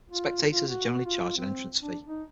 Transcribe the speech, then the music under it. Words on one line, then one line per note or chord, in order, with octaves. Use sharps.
Spectators are generally charged an entrance fee.
F4
F4
F#4
F4
C4
D4
D#4